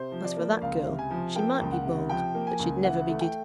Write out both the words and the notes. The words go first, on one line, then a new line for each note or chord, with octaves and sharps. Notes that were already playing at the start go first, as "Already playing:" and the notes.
As for that girl, she might be bold, but she'd never be giddy.
Already playing: C3 C5
F3
D5
A#3
C#2 F5
C3
G#5
F3
A#3 G5
C#2
F#5
C3
F3 G5
A#3
G#5
C#2
E3 F#5
A3
G5